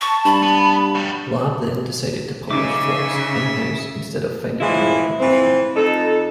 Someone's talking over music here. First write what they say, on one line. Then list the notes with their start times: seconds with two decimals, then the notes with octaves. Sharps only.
Lab then decided to publish "Fluxx" in house instead of finding another publisher.
0.01 A5 C#6
0.25 G2 B5
0.42 B3
0.95 G3 F#4
2.51 C#3 C#4 D#4 E5 D6
4.61 E3 F3 G#3 E4
5.20 E3 F3 C4
5.75 F2 D#4 A4